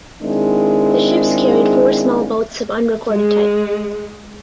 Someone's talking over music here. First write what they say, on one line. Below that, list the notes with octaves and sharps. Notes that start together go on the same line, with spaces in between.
The ships carried four small boats of unrecorded type.
D#3 G#3 C4 D4 E4 G#4
G#3